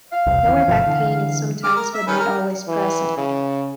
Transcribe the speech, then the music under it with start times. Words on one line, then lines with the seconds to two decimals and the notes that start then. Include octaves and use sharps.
Lower back pain is sometimes but not always present.
0.12 F5
0.27 E1 C2
0.44 D#2 E3
0.68 G1 B2 F3
0.87 D3 E3
1.64 G#3 D6 F6
1.76 A#4
1.94 E5
2.07 D#3 C#4 B4
2.20 A#4
2.68 E3
3.18 C#3